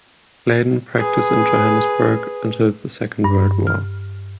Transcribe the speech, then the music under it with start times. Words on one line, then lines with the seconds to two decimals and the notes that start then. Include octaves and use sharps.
Clayden practiced in Johannesburg until the Second World War.
0.97 G#4 B4
3.24 G2
3.67 F6